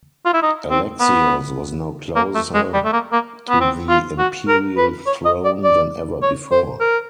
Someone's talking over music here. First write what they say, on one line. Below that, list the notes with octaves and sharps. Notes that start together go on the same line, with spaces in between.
Alexios was now closer to the imperial throne than ever before.
F4
E4
D#4
C4
B3
A#3
A3
G#3
G3
A3
A#3
A#3
B3
C4
F4
F#4
A#4
B4
C#5
D#5
D5
D5
C#5
C5
A#4